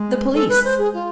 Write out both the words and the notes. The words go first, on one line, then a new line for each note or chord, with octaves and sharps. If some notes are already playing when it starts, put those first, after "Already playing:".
"The police."
Already playing: G#3
G#3 A4
B4
C5
G#4
F4